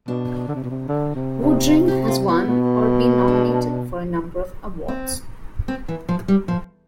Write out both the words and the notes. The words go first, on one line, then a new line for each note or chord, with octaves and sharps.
Woodring has won or been nominated for a number of awards.
B2 D4
D3
C3
B2
C3
D3
C3
C3
F4
G4
F4
B3
B2
D4
C4
C4
E3
F3
G3
F3